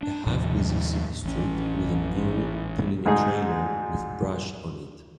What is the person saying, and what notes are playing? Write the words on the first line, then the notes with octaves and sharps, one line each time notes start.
A half busy city street with a mule pulling a trailer with brush on it.
D4
D#2 A2 C3 F3
A1 C#4
D2 G#2 D#4 G#4